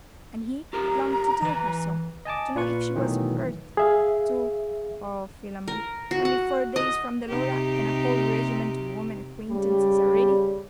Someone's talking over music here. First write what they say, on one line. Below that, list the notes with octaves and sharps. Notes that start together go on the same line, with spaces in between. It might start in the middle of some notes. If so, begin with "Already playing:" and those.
And he longed to tell her so--to know if she was hurt--to--Oh, Philammon! only four days from the Laura, and a whole regiment of women acquaintances already!
F4 G4 A#4 A#5
E3 B4
D#5 G#5 A5 D6
A#2 F4 B4 C#6
B2 D#3 E3 F#3 A3
G#4 E5 F5
A#4
F#4
F#5
D#5
C3 D#4 G4
C#3 G3